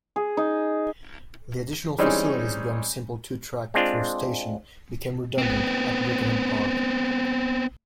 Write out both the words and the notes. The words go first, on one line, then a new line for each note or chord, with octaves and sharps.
The additional facilities beyond a simple two-track through station became redundant at Birkenhead Park.
G#4
D#4
E3 G3 G#3 C4 C#4 D#4
G#3 C4 D4 F4
B3 C4